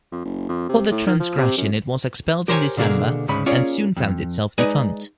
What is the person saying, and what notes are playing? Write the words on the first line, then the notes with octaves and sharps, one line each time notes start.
For the transgression it was expelled in December, and soon found itself defunct.
F2
F#1
F2
C3
A2
D#3
F3
C3
F#2
G4 A#4 C5 C#5 G5 G#5
B2 D3 A#3 F4 G#4 A#4
D2 G#2 C#3 G#3 B5
A#3 C#4 F4 G#4 C#5 D5
F2
G#3 D#4 B4 D5 D#5 G#5